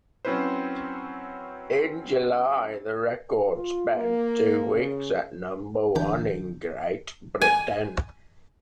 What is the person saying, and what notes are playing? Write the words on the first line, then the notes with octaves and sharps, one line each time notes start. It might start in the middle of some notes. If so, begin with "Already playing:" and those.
In July the record spent two weeks at number one in Great Britain.
F#3 C4 C#4 E4 B4 C5
F4
A#3
C#3
G1 C2 D3 E3 D4 G6
G#5